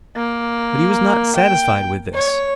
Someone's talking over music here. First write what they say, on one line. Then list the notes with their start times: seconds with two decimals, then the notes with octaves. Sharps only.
But he was not satisfied with this.
0.16 A#3
1.36 G5
2.14 C#5